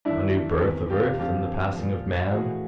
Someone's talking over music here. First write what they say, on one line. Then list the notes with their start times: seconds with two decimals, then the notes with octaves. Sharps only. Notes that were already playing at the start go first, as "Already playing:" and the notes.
A new birth of Earth and the passing of man?
0.05 G2 D#3 D4 E4
0.62 E2 C3 D#3
0.90 F4 G4
1.18 F2 D3 F3 F4 G4
1.76 A#2 F3
2.32 A2 E3 F#4 G#4